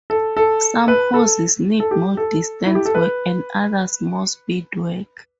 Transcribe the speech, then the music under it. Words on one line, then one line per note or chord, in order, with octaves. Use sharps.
Some horses need more distance work and others more speed work.
A4
A4
B4
A4
A4
G4
A4
E4
G4
A4
B4